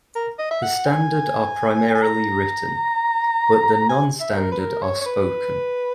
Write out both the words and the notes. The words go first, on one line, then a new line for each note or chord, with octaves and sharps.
The standard are primarily written, but the non-standard are spoken.
A#4
D#5
E5
F#5
G#5
G#5
A#5
G#5
E5
A#4
B4
A#4
C#5
C#5
B4